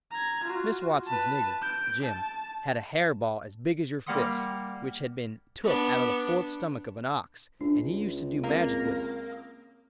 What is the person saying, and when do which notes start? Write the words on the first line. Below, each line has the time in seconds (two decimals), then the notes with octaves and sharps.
Miss Watson's nigger, Jim, had a hair-ball as big as your fist, which had been took out of the fourth stomach of an ox, and he used to do magic with it.
0.11 A#5 G#6
0.44 F4 F#4
1.07 B4 A5
1.62 G6 D7
2.03 A5
4.07 G3 A#3 F5 F#5 C6 D#6
5.63 B3 D4
7.61 C#2 D4
8.44 A#3 C4